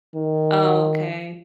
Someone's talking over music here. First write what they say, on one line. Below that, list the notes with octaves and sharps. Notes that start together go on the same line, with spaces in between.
Oh, okay.
D#3